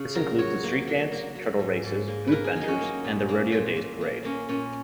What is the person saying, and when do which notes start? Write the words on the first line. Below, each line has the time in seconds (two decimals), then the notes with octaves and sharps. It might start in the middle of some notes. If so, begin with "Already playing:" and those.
This includes the Street Dance, Turtle Races, food vendors, and the Rodeo Daze Parade.
Already playing: C#3
0.15 F#3 A#4
0.39 F#3 C#5
0.63 A#3
0.88 F#3
1.12 A#3
1.35 F#3
1.59 G#2
1.84 G#2
2.08 A#3
2.27 A#3 A#4 B4
2.44 G#4
2.56 F#3
2.61 D#4
2.68 C#4
2.81 A#3
3.04 A#2
3.29 A#3
3.52 A#2
3.76 A#2
4.01 A#3
4.24 A#3 C#4
4.49 A#2 C#4